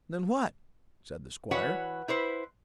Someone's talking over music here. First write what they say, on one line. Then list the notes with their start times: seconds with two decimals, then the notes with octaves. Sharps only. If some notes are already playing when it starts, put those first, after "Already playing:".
"Than what?" said the Squire.
1.51 E3 F#4 B4 C#5 F#5
2.08 E4 B4 C5